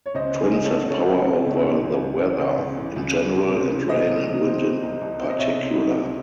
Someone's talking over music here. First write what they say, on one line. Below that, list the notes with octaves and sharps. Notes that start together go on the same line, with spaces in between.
Twins have power over the weather in general and rain and wind in particular.
C#5
C#2 C5 D#5
C#3
G#4 C5
C#3 D#5
A4 C#5
C#3
C#3 A4 C#5
C#3
C#3
C#2
E3
C#2
C#2
E3
C#3
C#2
E3
C#2
E3
C3
C3
E3
C2 C5 D#5
E3
C3
C4
E3
C2
C2
C4
D#5
C3 C#5 E5
C3
C2
C2